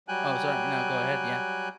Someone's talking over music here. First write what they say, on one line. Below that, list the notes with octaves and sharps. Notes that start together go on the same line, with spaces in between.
Oh, sorry. No, go ahead, yeah.
F#3 G3 G5 G#5 F#6